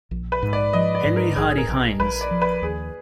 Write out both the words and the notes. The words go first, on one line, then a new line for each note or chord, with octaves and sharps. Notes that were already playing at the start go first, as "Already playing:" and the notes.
Henry Hardy Heins.
A#1
B4
G#2
D5
F3 D#5
D5
G#2
A#4
A#1 G#4
G#4
A#4
A#1
A#1 B4
D5
F3
B4
D#2 G#4